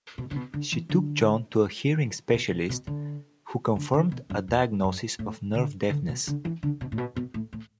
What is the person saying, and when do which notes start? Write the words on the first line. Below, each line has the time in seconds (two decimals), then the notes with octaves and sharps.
She took John to a hearing specialist, who confirmed a diagnosis of nerve deafness.
0.18 B2
0.31 D3
0.36 B2
0.54 D3
0.72 E3
0.89 D3
2.33 B2
2.50 B2
2.69 B2
2.87 D3
3.76 D3
3.94 D3
4.12 B2
4.30 F#2
4.48 E2
4.84 F#2
5.19 A2
5.55 D3
5.90 D3
6.09 B2
6.27 D3
6.45 E3
6.63 D3
6.81 B2
6.92 A2
6.98 B2
7.16 B2
7.34 A2
7.53 A2